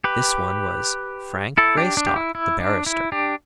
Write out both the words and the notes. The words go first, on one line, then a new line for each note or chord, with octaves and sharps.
This one was Frank Greystock, the barrister.
G4 B4
E4 A4
D4 G4
D4
G4
E4
E4
D4
E4
D4 G4